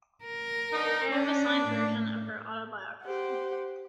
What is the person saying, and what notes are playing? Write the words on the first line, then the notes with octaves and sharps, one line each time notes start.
I have a signed version of her autobiography.
A#4
B3 D4 D#4
C#4 D4
A2
G4 C5 F#5